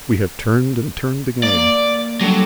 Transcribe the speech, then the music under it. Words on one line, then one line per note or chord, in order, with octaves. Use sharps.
"We have turned and turned again."
A#3 D5
F#3 G3 D4 A4